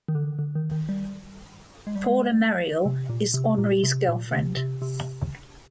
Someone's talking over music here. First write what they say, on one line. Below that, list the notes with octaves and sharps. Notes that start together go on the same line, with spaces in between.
Paula Mareuil is Henri's girlfriend.
D#3
D3
D3
D#3
D#3
G3
G#3
G3
G#3
C3
A#2
C3
A#2
C3
A#2
C3
C3
C3